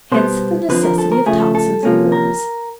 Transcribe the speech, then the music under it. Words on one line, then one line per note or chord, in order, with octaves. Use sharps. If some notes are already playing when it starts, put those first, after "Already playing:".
Hence the necessity of tocsins and wars.
B2 G3 B3 C5
F2 D3 F3 C4 B4
A#4
A4
A#4
C#3 F3 A3 G#4
A4
A4
C3 F3 A#3 C#4
A#4